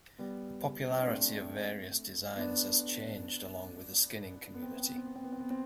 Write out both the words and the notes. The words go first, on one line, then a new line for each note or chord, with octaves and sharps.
The popularity of various designs has changed along with the skinning community.
G3 B3
C4
D4
A3 C4
B3 D4
B3
C4
B3
C4
B3
C4
B3
C4
B3
C4
B3
C4